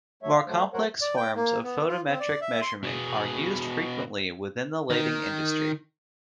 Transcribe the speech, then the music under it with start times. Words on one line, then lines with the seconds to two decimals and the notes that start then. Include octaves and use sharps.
More complex forms of photometric measurement are used frequently within the lighting industry.
0.23 D2 F#3 A3 C#5 E5
0.34 F5
0.47 F#3 A3 C5
0.73 F#3 A3 A#4 C5 C#5 F#5
1.02 D5
1.16 G5
1.36 A#3
1.64 B3
1.88 F4
2.08 C4
2.20 D5
2.41 E5
2.62 C6
2.83 B2 G#4
4.90 D#3